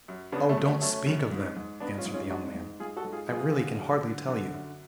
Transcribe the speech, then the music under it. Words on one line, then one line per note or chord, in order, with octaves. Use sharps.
'Oh, don't speak of them!' answered the young man; 'I really can hardly tell you.
F#2
C#3 B3 D4
A3 C#4
F#2
A3 C#4
F#2 A3 C#4
F#2
G#2
G#2
G#2 B3 D4
C#4 F4
G#2
C#4 F4
G#2 D4 F#4
G#2
G#2 F4 G#4
F#4 A4
G#2
F4 G#4
F#2 F4 G#4
D3
F#2
D3
D3
F#2